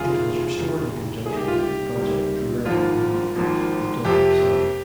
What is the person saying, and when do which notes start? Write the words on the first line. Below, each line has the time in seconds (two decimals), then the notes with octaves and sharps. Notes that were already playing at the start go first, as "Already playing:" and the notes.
It was restored in conjunction with the project American Moviemakers: The Dawn of Sound.
Already playing: F1 D#2 C#3 G#3 F4 G#4
0.56 F1 D#2 C#3 G#3
1.26 C#2 C3 D#3 G3 A#3 G#4
1.37 G4
1.48 F4
1.59 G4
1.96 C#2 C3 D#3 G3 A#3
2.65 G#1 G#2 F3 A#3 F4
3.35 G#1 G#2 F3 A#3
4.05 F2 C3 F3 A#3 G4